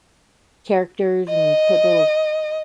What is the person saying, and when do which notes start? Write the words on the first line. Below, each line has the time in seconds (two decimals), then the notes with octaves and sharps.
characters and put little
1.29 D#5